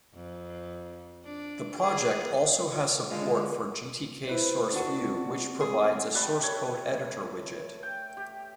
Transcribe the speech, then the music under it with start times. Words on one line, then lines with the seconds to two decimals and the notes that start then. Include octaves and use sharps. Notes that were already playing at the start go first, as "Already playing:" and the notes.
The project also has support for GtkSourceView, which provides a source code editor widget.
0.14 F2
1.24 D4
1.79 G#4
3.10 D3 G#3 F4 D#5 F5
4.28 E4 B4 C5
4.72 D4 F#4
5.02 C4
5.61 G#4
6.15 G3 A3 B4 D5
6.42 A4 C#5
7.83 G5
8.17 G4